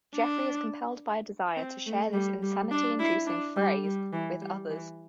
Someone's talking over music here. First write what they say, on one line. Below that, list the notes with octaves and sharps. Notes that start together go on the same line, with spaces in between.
Jeffrey is compelled by a desire to share this insanity-inducing phrase with others.
D4
C4
A3
G3
G3
D4
E4
D4
G3
G3
E3
G3
E3